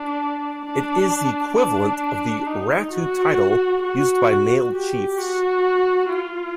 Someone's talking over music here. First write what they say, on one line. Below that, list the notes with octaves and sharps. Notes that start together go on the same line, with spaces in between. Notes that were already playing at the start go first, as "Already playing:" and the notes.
It is the equivalent of the "Ratu" title used by male chiefs.
Already playing: D4
D4
D4
D#4
F#4
F#4
G4
F#4
F4